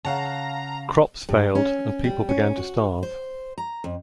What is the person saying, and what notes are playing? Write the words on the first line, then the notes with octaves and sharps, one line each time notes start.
Crops failed and people began to starve.
C#3 F5 F#5 A5 A#5
G2
C#4
G3
C#4
F#4
C5
A#5
F2